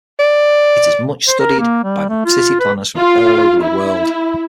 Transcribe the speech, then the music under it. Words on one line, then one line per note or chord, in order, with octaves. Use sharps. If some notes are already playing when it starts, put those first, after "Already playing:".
It is much studied by city planners from all over the world.
D5
C5
A#4
A#3
G3
A3
F4
B4
F4
E4